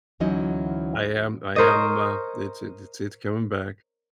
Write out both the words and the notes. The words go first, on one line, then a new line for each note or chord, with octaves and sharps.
I am I am, uh, it's it's it's it's coming back.
D2 E3 F#3 C#4 D#4 D#5
A#4 C5 C#5 D#5